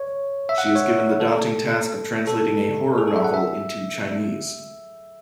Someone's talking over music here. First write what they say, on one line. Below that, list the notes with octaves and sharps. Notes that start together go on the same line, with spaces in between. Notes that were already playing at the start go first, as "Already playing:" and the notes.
She is given the daunting task of translating a horror novel into Chinese.
Already playing: C#5
E5
F#5
E5
C#5
A4
A4
G#4
A4
E5
F#5
E5